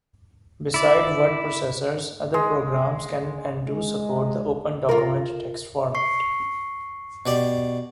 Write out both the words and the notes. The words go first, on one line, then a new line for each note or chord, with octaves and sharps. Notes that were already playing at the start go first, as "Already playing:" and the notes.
Besides word processors, other programs can and do support the OpenDocument text format.
E4 D5
G#3
G#3
F4 A#4
C#6 C7
B2 G4 D5